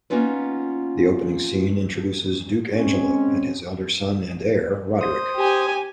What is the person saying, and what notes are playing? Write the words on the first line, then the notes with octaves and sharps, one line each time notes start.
The opening scene introduces Duke Angelo and his elder son and heir, Roderick.
A#3 B3 C#4 D#4 F4 B4
G#3 C4 C#4
C5 D#6
G4 G#5